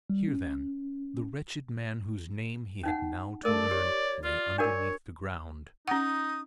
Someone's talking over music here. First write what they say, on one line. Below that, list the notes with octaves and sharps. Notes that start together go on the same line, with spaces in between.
Here, then; the wretched man whose name he had now to learn, lay underneath the ground.
G3
C#4
C#4 D#4 F#5
A3 A#4 D5
G4 C#5
F4 D5
D4 F#4 A#4 C#5
C#4 D#4 F#5 D#6